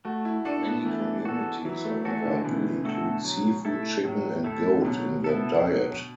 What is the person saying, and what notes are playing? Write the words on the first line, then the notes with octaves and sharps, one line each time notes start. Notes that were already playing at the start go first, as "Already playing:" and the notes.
Many communities, however, do include seafood, chicken, and goat in their diet.
A3 F#4
E4
D4 F#4 A4
B3
E3 A3
F#4 A4
E3 F#3
A3
E3 A3 F#4 A4
D3
B2 E3
A3 F#4 A4
F#3
A3 E4 A4
A2 F#3
A3 E4 A4
D3
B2 F#3
B3 E4 A4
F#3